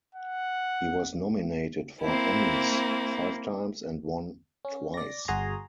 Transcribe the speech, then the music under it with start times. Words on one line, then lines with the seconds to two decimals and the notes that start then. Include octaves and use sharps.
He was nominated for Emmys five times and won twice.
0.14 F#5
2.01 A#3 C4 E4
4.65 C#4
4.94 D5 A#6
5.28 G1 F#4 G#4 G#5 A#5 C6